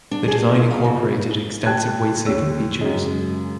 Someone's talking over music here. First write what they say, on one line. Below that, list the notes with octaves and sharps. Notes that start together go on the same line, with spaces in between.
The design incorporated extensive weight saving features.
D4
G#4
G#4
E4
F5
C#3
G5 A5 F#6 G#6
D#2 C#5 E6
F#2 C#3 G#3